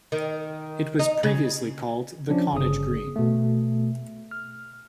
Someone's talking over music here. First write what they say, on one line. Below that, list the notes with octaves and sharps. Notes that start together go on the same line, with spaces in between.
It was previously called "The Cottage Green".
D#3
D#4
C#3
F3 C#4 D4
G1 C#3 G#4 D#6
B2 A3
F6